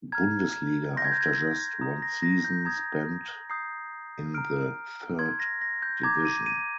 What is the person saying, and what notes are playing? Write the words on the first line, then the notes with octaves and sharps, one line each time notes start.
Bundesliga after just one season spent in the third division.
A#5 F6 G#6
C6 G6 A#6
G#6
G6
G#6
A#5 D#6 G6
A#6
A#6
G6
A#5 D#6 G6 G#6
A#5 D#6 G6 C7
A#5 F6 D7
C6 G6 G#6
A#6
A#6
G6
A#5 D6 G6 G#6
D#7
D#7